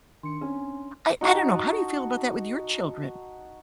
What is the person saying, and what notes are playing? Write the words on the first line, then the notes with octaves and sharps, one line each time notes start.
I I don't know. How do you feel about that with your children?
D#3 D4 C6 C#7
C4 C#4 G#5
D#4 F#4 A5 A#5